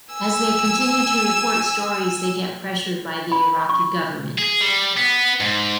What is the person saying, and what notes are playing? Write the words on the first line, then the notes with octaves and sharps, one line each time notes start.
As they continue to report stories, they get pressured by the Iraqi government.
G#5 E6
B5
C#6
G#4
G3
B3
G#2